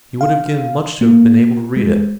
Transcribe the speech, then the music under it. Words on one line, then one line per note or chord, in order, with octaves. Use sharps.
He would have given much to have been able to read it.
F5
A#3
G#3